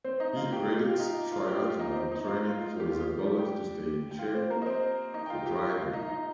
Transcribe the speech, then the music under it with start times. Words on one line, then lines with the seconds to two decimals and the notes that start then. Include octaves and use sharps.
He credits triathlon training for his ability to stay in shape for driving.
0.04 C4 C5
0.20 D#4 D#5
0.36 F4 F5
0.52 G4 G5
0.68 F4 F5
0.79 G4 G5
0.89 F4 F5
0.99 D#4 D#5
1.32 F4 F5
1.48 G4 G5
1.63 F4 F5
1.79 D#4 D#5
1.95 C4 C5
2.11 D#4 D#5
2.27 F4 F5
2.44 F4
2.59 F4
2.80 G4
2.91 F4
3.23 G3 G4
3.39 G4 G5
4.11 G5
4.19 F4 F5
4.34 C4 C5
4.50 A#3 A#4
4.62 D#5
4.66 C4 C5
5.14 D#4 D#5
5.26 G5
5.30 F4 F5
5.46 G4 G5
5.62 F4 F5
5.78 F4 F5
5.93 D#4 D#5
6.09 D#4 D#5